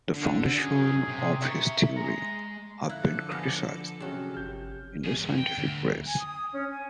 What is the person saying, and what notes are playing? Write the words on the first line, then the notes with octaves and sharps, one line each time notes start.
The foundations of his theory have been criticised in the scientific press.
D3
F#3 C#4 G#4
C3
E5 A#5 C#6
G#3 A#5
D3 F3 E4 A4 F5 E6 F#6
B3 G#5 B5 D6 A#6
C3 F#3 C#4 F#4 G#4
G1 G4 F6 G6
D2 G#4
E2 G2
G5
D2
G#5
D#6
C#4
G#5